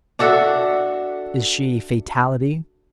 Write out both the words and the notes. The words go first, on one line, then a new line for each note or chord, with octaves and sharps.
Is she Fatality?
D4 F#4 A4 E5